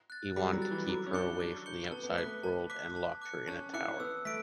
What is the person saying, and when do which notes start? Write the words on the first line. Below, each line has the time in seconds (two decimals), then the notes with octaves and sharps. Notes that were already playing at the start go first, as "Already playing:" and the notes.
He wanted to keep her away from the outside world and locked her in a tower.
0.10 F#6 A6
0.36 G3 B5
0.53 F#3
0.62 F#6 A6
0.71 E3
0.88 F#3 D6
1.06 C#4
1.13 D4 G6 C#7 G7
1.40 D6
1.66 G6 C#7 G7
1.91 B3 A5
2.03 B3
2.09 A3
2.18 D6 F#6 B6
2.26 B3
2.43 A5
2.70 D6 F#6 B6
2.96 A5
3.22 D6 F#6 C#7
3.47 C#4 A5
3.73 E4 D6 F#6 C#7
3.99 B3 E6
4.25 A3 B6 D7